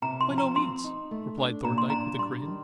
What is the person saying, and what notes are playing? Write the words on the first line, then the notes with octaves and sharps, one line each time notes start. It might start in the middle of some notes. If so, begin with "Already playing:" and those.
"By no means," replied Thorndyke, with a grin.
C3 A#5
C6
F3
A#5
C4 C6
D#4
A3
D4
A#2 A#5
C6
D4 A#5
G3 C6
D#3